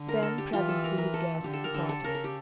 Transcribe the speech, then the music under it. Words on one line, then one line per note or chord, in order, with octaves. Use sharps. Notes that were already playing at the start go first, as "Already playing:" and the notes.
Then presently his guests departed.
Already playing: D3
A#4
A4
G4
E3 F4
A4
A#4
A#4
A4
D3 G4
A4
A#4
D3 A4
A4
C#3 A#4
A4
G4